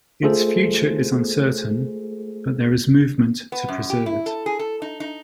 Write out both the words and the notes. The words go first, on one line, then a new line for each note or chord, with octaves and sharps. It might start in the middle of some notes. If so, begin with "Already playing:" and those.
Its future is uncertain, but there is movement to preserve it.
A3 F4 G#4 A4 C5
B3
F#2
G4
E4
A4
G#4
A4
D#4
D#4